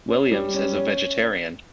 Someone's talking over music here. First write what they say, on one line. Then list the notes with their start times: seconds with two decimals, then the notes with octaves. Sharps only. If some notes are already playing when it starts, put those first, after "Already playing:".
Williams is a vegetarian.
0.09 C#4
0.32 G3
0.54 C#4
0.75 C#4